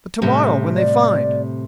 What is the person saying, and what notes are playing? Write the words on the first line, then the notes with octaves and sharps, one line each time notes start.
"But tomorrow when they find...."
A2 C3 G3 C#4
D5